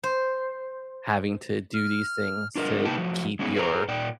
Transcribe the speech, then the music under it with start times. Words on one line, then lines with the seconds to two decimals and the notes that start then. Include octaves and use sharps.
having to do these things to keep your
0.03 C5
1.74 F6
2.56 D4 F4 A#4 D#5
2.85 C3 A#3 D#4 B4 G5 A5
2.97 F3 F#3 A3
3.39 G#3 B3 C#4 D#4 G#4
3.55 G#4 B4 E5 G5 A#5
3.88 A#2 D5 G5